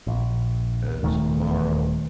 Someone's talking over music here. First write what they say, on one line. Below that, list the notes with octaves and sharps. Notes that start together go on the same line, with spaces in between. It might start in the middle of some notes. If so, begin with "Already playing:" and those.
"And tomorrow,
A#1
D#1 D#3 A3